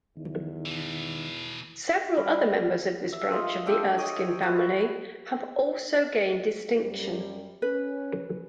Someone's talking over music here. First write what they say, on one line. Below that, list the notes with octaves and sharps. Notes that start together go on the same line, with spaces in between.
Several other members of this branch of the Erskine family have also gained distinction.
E2 D#3
B2 E3
G3
E5
F4 D#5
D4 A4 E5 G5
C#5 D#5 G5 D#6
E4 F#4 F#5
F#2 G3
C#4 B4